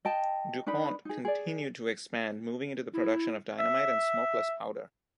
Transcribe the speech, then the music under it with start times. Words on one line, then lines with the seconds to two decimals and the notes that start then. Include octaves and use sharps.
DuPont continued to expand, moving into the production of dynamite and smokeless powder.
0.05 D#5 G5 A5
0.66 D4 D#4 B4 B5
1.05 D#4 G#4
1.25 G#4 D5
2.94 E4
3.59 E5